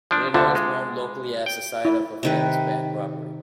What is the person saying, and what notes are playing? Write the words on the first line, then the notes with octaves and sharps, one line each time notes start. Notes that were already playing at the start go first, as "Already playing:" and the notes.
Leonore is known locally as the site of a famous bank robbery.
F3 D4
D2 D3 G3 F4 A5
G#3
G5
E4
C3 D#3 B4